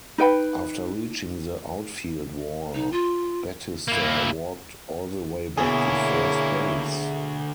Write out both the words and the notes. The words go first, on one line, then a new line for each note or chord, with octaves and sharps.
After reaching the outfield wall, Batista walked all the way back to first base.
D#4 B4 G5 B5
D#4
F4
A#3 E4
D2 B2 A#3 E4 G#4 C#5